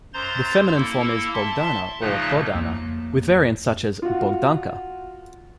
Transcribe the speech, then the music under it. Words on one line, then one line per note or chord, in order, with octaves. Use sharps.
The feminine form is Bogdana or Bohdana, with variants such as "Bogdanka".
F#2 C5 A#5 C6 A6
A#3 E4 A4
E5 A5 C6
A#2 C#3 F3 A3 D#4 F#6
F2 A#3
F4 F#4